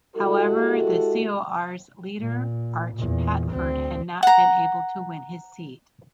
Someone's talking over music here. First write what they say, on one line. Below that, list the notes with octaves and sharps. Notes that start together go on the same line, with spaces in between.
However, the CoR's leader, Arch Pafford, had not been able to win his seat.
G#3 E4 F#4 G4 A4
A#2
E2 A#2
D2 C4
F#5 A#5